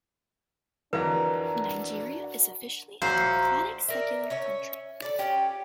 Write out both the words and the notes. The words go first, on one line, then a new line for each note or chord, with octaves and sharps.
Nigeria is officially a democratic secular country.
F2 E3 D4 F#4 A#4 B4 F5
A#1 F#3 C5 F5
A#4 D5 E5
C#4 C#5 E5
A4 D5
C#4 F4 G4